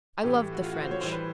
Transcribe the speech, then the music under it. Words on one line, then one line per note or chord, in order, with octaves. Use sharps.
I loved the French.
A2 E3 A3 G4
G4
F#4
F4
F#4
C5
C#5
A2 E3 G3 C5
B4